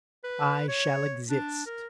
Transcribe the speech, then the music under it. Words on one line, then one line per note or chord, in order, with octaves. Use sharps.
I shall exist.
B4
C#5
D4
A#4